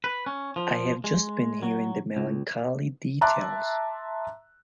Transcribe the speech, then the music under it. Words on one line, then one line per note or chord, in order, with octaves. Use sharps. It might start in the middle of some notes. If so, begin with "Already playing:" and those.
I have just been hearing the melancholy details.
B4
C#4
F3
G#3
F#3
C#2
E5 A5 A#5 C6 D6 F#6